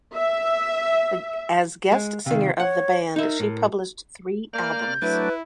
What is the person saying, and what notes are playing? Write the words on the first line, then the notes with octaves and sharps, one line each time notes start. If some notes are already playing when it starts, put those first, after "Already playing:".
As guest singer of the band she published three albums.
E5
G#3
C3 D#3 F5
C#5 F#5
D#4 A#4 E5
A2
A#3 D5 F6 G6
F#3 A3 D4 E4 B4